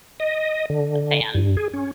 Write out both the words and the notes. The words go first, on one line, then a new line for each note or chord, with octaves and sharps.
a fan.
D#5
D3
G2
G#4
C#4